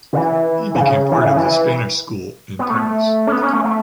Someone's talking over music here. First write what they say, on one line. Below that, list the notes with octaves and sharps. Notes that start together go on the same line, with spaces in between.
He became part of the Spanish School in Paris.
C#3
E3
E3
C#3
E3
C#3
E3
B3
A3
C#4
B3
C#4
A3
A3